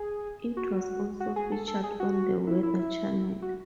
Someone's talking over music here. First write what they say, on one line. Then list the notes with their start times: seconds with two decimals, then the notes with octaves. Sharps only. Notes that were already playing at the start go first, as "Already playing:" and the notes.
It was also featured on the Weather Channel.
Already playing: G#4
0.57 F#4
1.20 F#4
1.36 G#4
1.52 A4
1.68 A4
1.83 G#4
2.00 F#4
2.47 E4
2.63 E4
2.79 E4
3.42 F#4